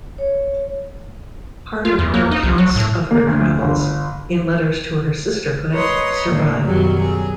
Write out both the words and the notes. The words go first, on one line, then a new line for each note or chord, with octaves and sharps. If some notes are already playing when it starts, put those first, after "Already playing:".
Part of her accounts of her travels, in letters to her sisterhood, survive.
C#5
F4
E2
A#3
D#4
C2
F#3
A2
A#3
D2
G1
B4 C#5 D#5 A#5 C6
A2 D3 A3 A#3
F#2 B2 D#3 F#3 G3 F#4
F#3 G#4